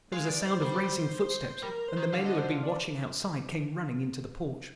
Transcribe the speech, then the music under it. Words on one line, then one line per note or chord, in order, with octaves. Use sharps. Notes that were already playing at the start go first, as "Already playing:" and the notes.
There was a sound of racing footsteps and the men who had been watching outside came running into the porch.
G#3 F5
D5
C5
G3
G3 A#4
C5
D#3
D3 F5
D#5
C5
F4
D4